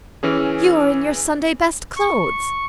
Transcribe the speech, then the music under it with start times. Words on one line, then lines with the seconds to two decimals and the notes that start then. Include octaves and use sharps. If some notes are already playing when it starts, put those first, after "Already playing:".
You are in your Sunday-best clothes!'
0.23 E3 C#4 G#4
1.96 C#6